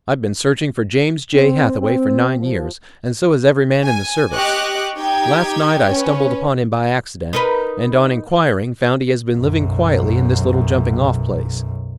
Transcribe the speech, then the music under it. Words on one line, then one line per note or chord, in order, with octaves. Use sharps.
I've been searching for James J. Hathaway for nine years, and so has every man in the service. Last night I stumbled upon him by accident, and on inquiring found he has been living quietly in this little jumping-off place.
C4
C4
F3
G#5
G4 D#5 C#6 D6 F#6
D#4 G4 G5 G#6
C#4 B4
D#4 A#4 B4
B1 F#2